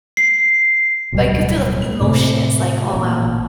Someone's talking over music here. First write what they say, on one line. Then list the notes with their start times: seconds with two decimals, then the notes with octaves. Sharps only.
like, you could feel the emotions, like, "Oh, wow.
0.17 C7
1.12 D1 B1 B2 G3
2.01 A2 C3 A3
2.93 A1 A#2